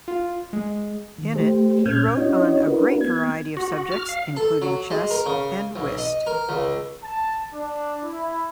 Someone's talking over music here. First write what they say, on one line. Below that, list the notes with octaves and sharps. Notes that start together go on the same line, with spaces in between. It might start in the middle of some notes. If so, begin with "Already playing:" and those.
In it he wrote on a great variety of subjects, including chess and whist.
F4
G#3
D#3
A3 G4 C5
A#2 C#4 F6 G6 G#6
C#4 D4 E4 F#4 C#5 D#5
D4 E4 F#4 A#4 B4
B3 G#6
F#4
F#4
F6
F5
A4
F#3
G#3
A#4
C#3
B1
D#5
A#4
C#2
A5
D4
E4